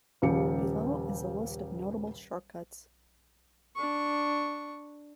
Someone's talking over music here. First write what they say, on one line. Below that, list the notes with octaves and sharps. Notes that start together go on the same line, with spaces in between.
Below is a list of notable shortcuts.
D#1 C#3 F3 G4 C#7
D4 C#6